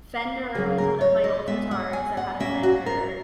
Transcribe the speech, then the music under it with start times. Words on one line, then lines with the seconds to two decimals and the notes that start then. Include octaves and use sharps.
Fender was one of my old guitars, I had a Fender
0.55 C#3 F#3 C#4 G#4
0.78 A#4
1.01 C#5
1.24 D#5
1.47 A#2 G#3 B3 E5
1.71 F#5
1.93 G#5
2.17 F#5
2.40 A#2 A#3 C#4 E5
2.63 F#4
2.86 A#4